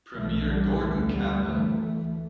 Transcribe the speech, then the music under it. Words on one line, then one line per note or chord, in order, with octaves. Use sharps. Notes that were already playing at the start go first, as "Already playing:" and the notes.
Premier Gordon Campbell.
B1 B2 E3 A3
D3 G3
D2 E3 A3
G3 B3
D2 E3 A3